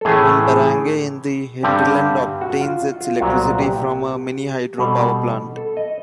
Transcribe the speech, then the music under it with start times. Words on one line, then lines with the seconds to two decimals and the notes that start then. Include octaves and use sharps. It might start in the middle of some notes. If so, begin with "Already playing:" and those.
One barangay in the hinterland obtains its electricity from a mini-hydro power plant.
0.01 A4
0.05 A2 E3 A3 C#4 G#4
0.45 G#4
1.63 G2 D3 G3 C4 G4
2.41 F#4
2.61 F4
3.01 F4
3.21 C2 A#2 F#3 B3 F#4
3.60 G4
4.78 B2 G3 C4 A4
5.57 A4
5.77 D#5